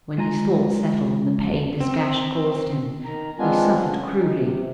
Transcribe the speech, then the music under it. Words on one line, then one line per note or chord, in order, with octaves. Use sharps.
When his thoughts settled on the pain this gash caused him, he suffered cruelly.
G#3 F4 G#5 A#5
C4
D#3 A#5
G#3 B3 C4 D4 F4 G#5
C#4
D#4
C3